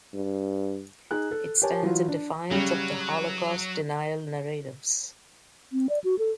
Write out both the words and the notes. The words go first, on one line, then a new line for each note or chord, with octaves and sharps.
It stands in defiance of Holocaust denial narratives.
G2
D#4 G#4 F#6
A4
G4 A#4 C#5 G#5 A5
E3 F#3 F4
D4
C#3 F#3 G3 C#4
C4
D5
F#4
A4